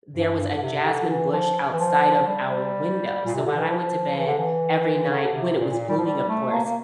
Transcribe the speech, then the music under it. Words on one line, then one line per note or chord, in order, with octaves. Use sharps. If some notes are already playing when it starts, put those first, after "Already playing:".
There was a jasmine bush outside of our window, so when I went to bed every night, when it was blooming of course,
G2
G2
D3
C3
D3
E3
F3
E3
F3
G3
A#2
C3
D3
E3
F3
E3
D3
E3
D3
C3
A#2
A#2
G3
F3
G3
A3
A#3
A#3